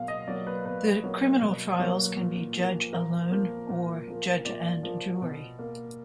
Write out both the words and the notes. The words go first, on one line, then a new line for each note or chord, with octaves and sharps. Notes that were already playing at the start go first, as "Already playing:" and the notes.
The criminal trials can be judge alone or judge and jury.
Already playing: B2 F#3 A#3 F5
D#5
F#3 A#3 D5
B4
B2 B4
F#3 A#3
B2
F#3 A#3
A#2
F3 A#3
A#2 A#4
F3 A#3
A#2
F3 A#3
A#2 D5
F3 A#3
B2
A#3